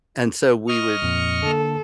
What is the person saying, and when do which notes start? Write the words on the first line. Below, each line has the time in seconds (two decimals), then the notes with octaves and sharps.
And so we would
0.68 D#5 C#6 F6
1.02 F2 A#2
1.43 D3 A#3 A4